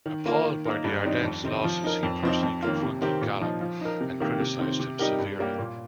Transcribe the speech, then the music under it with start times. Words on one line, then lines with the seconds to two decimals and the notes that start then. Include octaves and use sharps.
Appalled by the Ardennes losses, he personally confronted Gollob and criticised him severely.
0.06 D#3
0.26 A#3 F4 A#4
0.45 D#3
0.65 A#3 D#4 A#4
0.84 G2
1.05 D#3 G3 C4 D#4
1.24 F2
1.44 C3 D#3 C4 D#4
1.64 F3
1.84 D#4 A#4
2.03 F2
2.23 F3 C4 D#4
2.43 F2
2.62 D#3 A#3 F4
2.83 C3
3.02 D#3 C4 G4 A#4
3.21 A#2
3.41 F3 D#4
3.61 F3
3.81 D#4 A#4
4.01 C3
4.20 D#3 A#3 G4
4.40 C3
4.59 D#3 C4
4.80 C3
4.99 G3 D#4 G4 A#4
5.19 G2
5.39 G3 A#3 G4
5.59 A#2